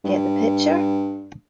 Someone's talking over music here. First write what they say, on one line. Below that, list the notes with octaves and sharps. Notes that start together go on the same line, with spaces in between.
Get the Picture?
G2